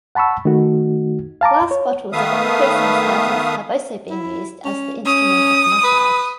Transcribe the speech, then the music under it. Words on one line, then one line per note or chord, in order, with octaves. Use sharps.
Glass bottles of increasing sizes have also been used as the instrument of massage.
F#5 A5 B5 C#6 E6
D#3 A3 D#4 F#4
F5 A5 A#5 D6
C#5
D#3 A3 B3 E5 F5 D#6
E4
C#4
C#4 D#6
B4